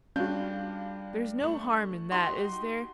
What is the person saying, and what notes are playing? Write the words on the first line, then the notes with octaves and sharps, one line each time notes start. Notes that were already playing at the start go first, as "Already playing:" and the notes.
There's no harm in that, is there?
G3 G#3 C#4 D4 F4 F#4 G6
A3 F#7
D#4 F#4 G4 C6